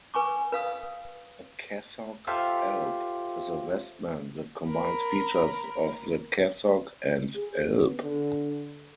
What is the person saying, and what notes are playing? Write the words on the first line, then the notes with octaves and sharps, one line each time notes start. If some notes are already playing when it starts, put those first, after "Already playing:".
A cassock-alb is a vestment that combines features of the cassock and alb.
B4 G#5 C#6 D6
B4 F5 D#6
F4 G4 A4 C5 E5 F5
A#4 B5
G#4
B3
D3